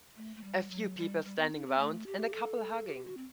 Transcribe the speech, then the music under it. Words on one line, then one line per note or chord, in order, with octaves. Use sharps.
A few people standing around and a couple hugging.
A3
A3
G3
F#3
G3
G3
B3
D#4
C4
A3
G4
A4
G4
F#4
C4